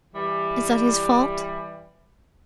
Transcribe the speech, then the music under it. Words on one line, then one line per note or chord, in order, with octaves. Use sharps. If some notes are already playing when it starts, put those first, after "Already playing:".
Is that his fault?
E3 G3